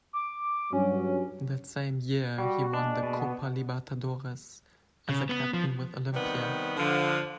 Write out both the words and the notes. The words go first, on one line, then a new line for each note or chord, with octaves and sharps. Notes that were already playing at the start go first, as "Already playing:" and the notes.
That same year he won the Copa Libertadores as a captain with Olimpia.
D6
G2 F#3 C#4
G3 F#4
G#3 A#3 D4 D5
B2
B3
C#3
B3
F3
C3 D#3 G3 B3
D3 F3